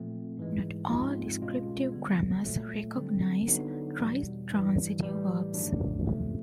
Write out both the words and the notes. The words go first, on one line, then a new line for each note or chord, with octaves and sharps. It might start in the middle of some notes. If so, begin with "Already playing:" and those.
Not all descriptive grammars recognize tritransitive verbs.
Already playing: A#2 F3 A3 C4
G#2 E3 G#3
G#2 F3 G#3 C4 F4
C2 B2 G#3 C#4 F4
D3 G3 B3
A#2 F#3 A3
D3 G3 C4
D3 F#3 B3 D#4
E2 B2 G3
G2 E3 G3
A2 E3 G3
G2 D#3 F#3 A3 D4
C3 F3 A3